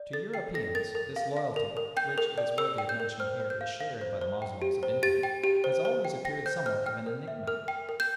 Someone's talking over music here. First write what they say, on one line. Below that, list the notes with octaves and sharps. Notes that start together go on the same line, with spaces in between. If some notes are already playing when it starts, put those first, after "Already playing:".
To Europeans this loyalty, which, it is worthy of mention here, is shared by the Moslems of India, has always appeared somewhat of an enigma.
Already playing: D5
A4 A6
G5 C7
A4 A#6
A#4 A6
A#4
F5
F5
A#4
A#4
G5 G6
A#4
D5
A#4 E6
G5
G6
A#4
C5 F6
C5
G6
F5
F5
C5
C5
G5
G4
C5
G4 A6
G5
G4
C5
C5
G5
G5 A#6
C5 G6
C5 F6
G5 F6
A#4
E5
A#4 F6
G5
A#4
G6